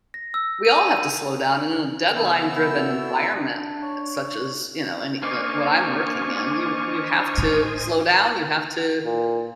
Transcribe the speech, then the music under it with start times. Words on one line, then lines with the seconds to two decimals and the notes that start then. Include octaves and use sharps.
we all have to slow down and in a deadline-driven environment such as, you know, any n what I'm working in, you you have to slow down, you have to
0.14 A#6
0.34 E6
0.65 D#7
2.15 C#3 F3 B3 E4 E6
2.71 F#4 A4
3.35 D4
3.82 C#5
5.23 A#3 D4 C5 D#5 G#5 C#6 F6
7.38 A2
9.05 A#2